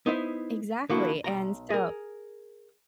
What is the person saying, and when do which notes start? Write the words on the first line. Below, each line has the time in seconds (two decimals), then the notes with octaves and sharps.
Exactly. And so
0.06 B3 D#4 E4 C5 E5
0.89 D3 F3 A#3 E4 F#4
1.24 B1 A#5
1.70 G#4 A#4